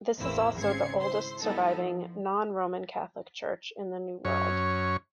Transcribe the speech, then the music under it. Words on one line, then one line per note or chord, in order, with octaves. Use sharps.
This is also the oldest surviving non-Roman Catholic church in the New World.
A1 E2 A#3 C4 E4 E6
G#1 C#3 C4 G#6 C7 C#7
E4 C5 C6
G3 B3 D#4 E4 A4
F3
F#2 C#5